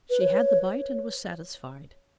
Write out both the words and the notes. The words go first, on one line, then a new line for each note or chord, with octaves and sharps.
She had the bite and was satisfied.
B4
C#5